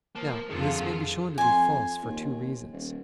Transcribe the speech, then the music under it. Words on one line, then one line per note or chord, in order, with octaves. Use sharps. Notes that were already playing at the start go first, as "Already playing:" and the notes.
Now this may be shown to be false for two reasons.
A#3 C5 A5
F2 D3 D#3 F4 G#4 A4
F2 G#5 C6
D#2
D#1